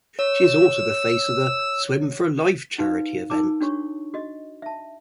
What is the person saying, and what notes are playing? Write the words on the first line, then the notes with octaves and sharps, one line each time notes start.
She is also the face of the "Swim for Life" charity event.
C#5 E6
D#4 F#4 B4 F5
D#4 A#4 G#5 A5 D6
D4 F#4 C#5 C#6
F#4 D#5
E5 A5